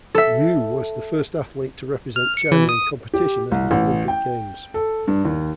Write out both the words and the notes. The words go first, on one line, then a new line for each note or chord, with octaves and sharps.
Liu was the first athlete to represent China in competition at an Olympic Games.
A4 E5
F6
C#7
E3
D#6
G4
C2
A1
G5
A4
G2
D#2